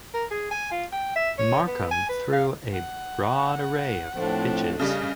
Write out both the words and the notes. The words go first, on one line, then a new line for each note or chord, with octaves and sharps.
Marcum threw a broad array of pitches.
A#4
G#4
G#5
F4
G5
E5
C#5
B3
G#5
B4
F5
F#5
A2 F3 A3 C4 D4
C#3 G3 D#5